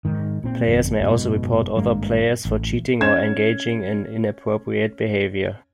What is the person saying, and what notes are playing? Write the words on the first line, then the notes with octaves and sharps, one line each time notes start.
Players may also report other players for cheating or engaging in inappropriate behavior.
G#2 D#3
A#2 C4
G1 F2
F#1 G#2 B2
G#1 G2 G#3 A#3
A1
C#4 G#6 E7